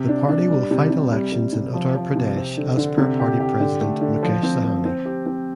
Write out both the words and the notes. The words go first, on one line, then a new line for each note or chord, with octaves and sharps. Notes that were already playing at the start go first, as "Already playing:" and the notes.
The Party will fight Elections in Uttar Pradesh as per Party President Mukesh Sahani.
Already playing: C3
D4
D4
G3
C3
C3
G3
G3
C3
F3
F3
C3
C4
D3
D3
C3
G4
G4
D3
A3
D3
F3
C4
C4
C4
G4
C4